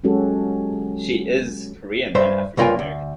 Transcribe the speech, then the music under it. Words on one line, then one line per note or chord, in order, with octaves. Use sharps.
She is Korean and African-American.
F#3 G#3 C#4 F#4 G4 A4
G2 C5 E5
C#2 G2 A#3 F4 G5 G#5
D2